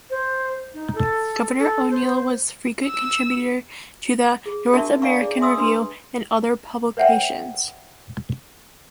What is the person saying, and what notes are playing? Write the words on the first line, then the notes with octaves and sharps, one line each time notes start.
Governor O'Neal was a frequent contributor to "The North American Review" and other publications.
C5
D#4
A4
A4
C5
E6
G#4
D4 F#4 A#4 E5 A5 C#6
D5 D#5 F5 G#5 A#5 C#6
G#4 D5
E5 G#5 C6 D#6 E6
D4 B4 C6
B4 C#5 E5 F#5 G5